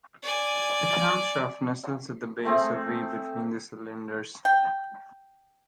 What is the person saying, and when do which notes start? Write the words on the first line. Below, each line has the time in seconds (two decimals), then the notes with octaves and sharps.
A camshaft nestles at the base of the V between the cylinders.
0.23 D5 G#5
2.45 A3 C4 G#4
4.45 G5